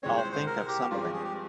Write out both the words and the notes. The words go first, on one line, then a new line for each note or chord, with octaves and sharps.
I'll think of something.
C2 A#2 G#3 C4 C#5
C5
C5
A#4
G4
G2 F3 G#3 C4 F4
G4
G#4
G4